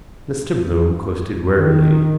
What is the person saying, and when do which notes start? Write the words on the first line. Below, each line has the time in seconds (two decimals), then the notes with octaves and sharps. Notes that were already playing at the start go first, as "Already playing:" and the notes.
Mr Bloom coasted warily.
1.56 D#3